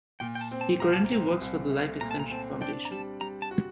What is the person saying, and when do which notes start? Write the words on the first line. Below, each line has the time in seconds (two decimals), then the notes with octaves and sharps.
He currently works for the Life Extension Foundation.
0.20 A#2 G5
0.35 G5
0.41 A5
0.51 C4
0.61 A5
0.80 C2 A#5
0.93 A5
1.05 A#5
1.12 C4
1.41 C2
1.71 A3
2.01 A#2 A#5
2.11 A5
2.20 A#5
2.31 C4 A5
2.61 D4 G5
2.85 A#5
2.91 G3 A5
3.21 G3 A#5
3.42 A5
3.51 F#4